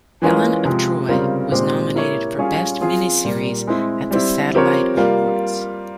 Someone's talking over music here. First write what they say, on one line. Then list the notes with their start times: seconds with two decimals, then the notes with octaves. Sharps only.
"Helen of Troy" was nominated for best miniseries at the Satellite Awards.
0.22 E3 G#3 C#4 F4 A#4
0.65 C3 F3 G#3
1.09 C#3 G3 C4 F4 A#4
1.52 A#2 G#3 C4 G4 C5
1.95 A#3 E4 G4 C#5
2.38 G3 C#4 F4 G#4 C#5
2.81 F3 C4 F4 G#4 C5
3.24 A#2 G3 A#3
3.67 G#3 C4 E4
4.11 G3 C4 E4
4.53 F3 C4 G4 A#4 C#5
4.97 G3 A#3 F4